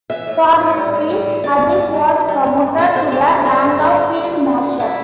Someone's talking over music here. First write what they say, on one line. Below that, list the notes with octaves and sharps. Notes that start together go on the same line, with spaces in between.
For this feat, Hadik was promoted to the rank of Field Marshal.
E3 E5
A2
E3
A2
G3
A2
G3
E3
G2 D5
G2
G3
G2
E3
G3
G2
G2
D3 E5
D3 C5
D3 G4
G3 E4
D3 C4
G2
D3
G3
G3
D2
D3
D2
G3 E4